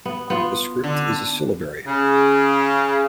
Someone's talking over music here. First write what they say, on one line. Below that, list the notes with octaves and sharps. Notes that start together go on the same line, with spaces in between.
The script is a syllabary.
B3
B3 F4
D3
C#3